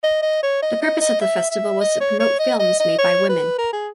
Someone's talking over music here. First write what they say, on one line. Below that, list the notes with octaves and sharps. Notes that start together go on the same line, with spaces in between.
The purpose of the festival was to promote films made by women.
D#5
D#5
C#5
D#5
D#5
D#5
E5
E5
D#5
C#5
C#5
D#5
D#5
D#5
C#5
B4
A#4
G#4